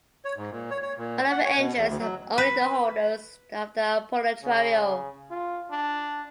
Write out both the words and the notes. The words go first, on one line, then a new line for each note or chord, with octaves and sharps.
Right of entrance have only the holders of the "Apolytirio".
C#5
G#2
A#2
C#5
C#5
A#2
F#5
C#5
B2
E2
D2
F#3
B4
C#3
F4
D4